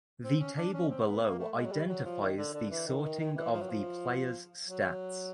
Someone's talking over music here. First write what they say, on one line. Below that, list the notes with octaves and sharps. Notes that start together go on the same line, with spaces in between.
The table below identifies the sorting of the players stats.
C4
C#4
D4
C#4
C4
B3
A#3
A3
G#3
F#3
G3
F#3
F3
D#3
D3
D3
E3
D#3
D#3
D#3
E3
F3
F#3
F3
F#3